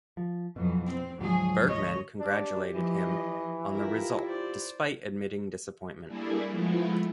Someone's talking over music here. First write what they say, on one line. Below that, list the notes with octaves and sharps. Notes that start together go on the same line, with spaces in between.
Bergman congratulated him on the result despite admitting disappointment.
F3
F2 B2 E3 F#3
C4
D2 G#2 F3 F#3 G#4
C#5 D#5
D4 G4
E3 F3 D#5
E4 F4 G4 A#4
C5 D5
G3 A3 A#3 D4 E4 G#4
F3 G#3 A3 B3 E4 F4